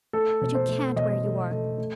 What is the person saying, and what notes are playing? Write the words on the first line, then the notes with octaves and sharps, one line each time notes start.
But you can't where you are.
A3 A4
B2
C5
A3
B2 D#5
A3
A3
A3